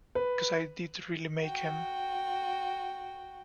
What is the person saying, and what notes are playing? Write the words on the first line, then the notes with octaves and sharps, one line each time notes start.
Because I did really make him.
B4
F#4 G5